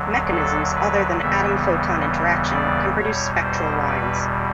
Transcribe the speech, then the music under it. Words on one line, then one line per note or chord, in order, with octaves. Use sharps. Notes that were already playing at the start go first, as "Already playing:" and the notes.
Mechanisms other than atom-photon interaction can produce spectral lines.
Already playing: D#2 D3 F#3
A4
B4
D#2 C#3 E3 G3 B3 E5
D5
E2 B2 G3 C#5
C5
B4